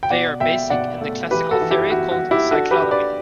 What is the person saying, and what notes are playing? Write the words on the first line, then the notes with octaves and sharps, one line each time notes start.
They are basic in the classical theory called cyclotomy.
G5
B2 D5 F#5
B2 E5 G5
B2 D5 F#5
A3
E3 G4 B4
F#4 A4
E3
E4 G4
E3 F#4
F#4
G3
E4 G4
D4 F#4 A4
G4 B4
D4
B4 D5